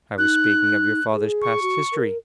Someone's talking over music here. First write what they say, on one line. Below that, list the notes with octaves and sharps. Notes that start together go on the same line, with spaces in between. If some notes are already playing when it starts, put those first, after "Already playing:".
I was speaking of your father's past history.
D#4 F#6
G#4
C#6
F#4
A#4